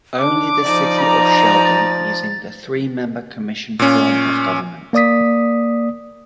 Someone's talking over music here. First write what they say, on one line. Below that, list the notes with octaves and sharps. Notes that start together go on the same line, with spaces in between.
Only the city of Shelton using the three-member commission form of government.
D4 D6
F3 D#4 D5
A#5
A6
A#2 C#4
A#3 D5 D#6 B6